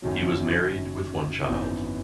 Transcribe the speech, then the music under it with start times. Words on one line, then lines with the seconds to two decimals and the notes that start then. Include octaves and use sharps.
He was married with one child.
0.02 F#1 F#2 D#3 F#3
1.48 G#1 F#2 E3 B3 D#4